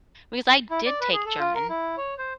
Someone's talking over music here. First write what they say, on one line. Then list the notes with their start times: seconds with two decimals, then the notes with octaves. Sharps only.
because I did take German
0.71 E4
0.86 D5
1.01 B4
1.13 G#4
1.26 A4
1.39 F4
1.55 A#4
1.69 E4
1.97 C#5
2.18 C5